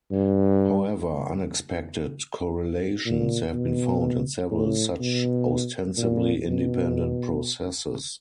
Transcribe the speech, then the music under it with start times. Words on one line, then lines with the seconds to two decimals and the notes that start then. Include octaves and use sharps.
However, unexpected correlations have been found in several such ostensibly independent processes.
0.12 G2
3.05 A#2
3.53 B2
4.51 A2
5.00 B2
5.97 A#2
6.47 B2